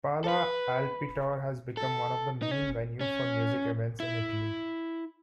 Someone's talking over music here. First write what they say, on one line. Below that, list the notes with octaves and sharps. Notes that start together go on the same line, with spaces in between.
Pala Alpitour has become one of the main venue for music events in Italy.
A4
B4
A4
D#4
C#4
C#4
E4